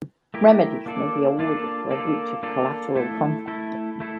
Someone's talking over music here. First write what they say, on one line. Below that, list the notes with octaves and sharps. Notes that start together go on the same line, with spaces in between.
Remedies may be awarded for breach of a collateral contract.
A3 E4 G4 A#4
A#3 D4 F4 A4 D5
A#3 D4 F4 A4 D5
A#3 D4 F4 A4 D5
A#3 D4 F4 A4 D5
A3 E4 A4
A3 E4 A4
A3 E4 A4